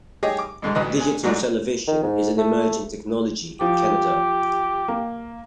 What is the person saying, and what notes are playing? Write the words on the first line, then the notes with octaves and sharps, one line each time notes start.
Digital television is an emerging technology in Canada.
G4 G#4 C#5 D#5
D6
B1 G#2 D3 G#3
A1 D2 B4 D#5
G#5
G#2 F#3 D4 F#4
D#3
G#2
A3
F3 G4
A#3